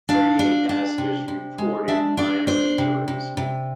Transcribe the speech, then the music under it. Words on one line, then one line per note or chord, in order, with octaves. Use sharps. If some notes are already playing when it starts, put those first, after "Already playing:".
Thirty-eight passengers reported minor injuries.
D4 F5
D4
D4
C3
C3
G#3
D4 E5
D4 D5
D4 C5
C3
C3
C3